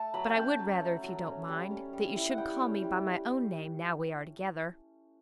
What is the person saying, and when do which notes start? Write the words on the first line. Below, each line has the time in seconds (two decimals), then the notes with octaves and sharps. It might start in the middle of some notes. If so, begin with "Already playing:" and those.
But I would rather, if you don't mind, that you should call me by my own name now we are together.
Already playing: A3 A5
0.14 F#3 B5
0.30 G5
0.36 C#4 A5
0.59 F#3
0.80 A3
1.03 F#3
1.26 C#4
1.48 G3
1.71 C#4
1.93 G3
2.15 E4
2.30 F#5
2.38 G3 G5
2.61 C#4
2.83 G3